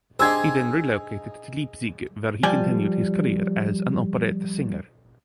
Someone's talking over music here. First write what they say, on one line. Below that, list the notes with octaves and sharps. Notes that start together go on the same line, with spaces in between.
He then relocated to Leipzig where he continued his career as an operetta singer.
D4 D#4 G4 G#4 C5 E6 G#6
F3 G3 D5 G5 G#5